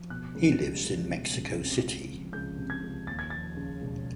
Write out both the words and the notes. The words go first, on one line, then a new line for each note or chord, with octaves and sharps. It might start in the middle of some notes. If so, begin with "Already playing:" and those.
He lives in Mexico City.
Already playing: F3
B2 F#6
C#2
G3
C#2
B2
C#2
C3
C#2
F3
C#2 G6
C3
G#6
C#2
D#2 A6
G#6
F3 A6
C#3
E1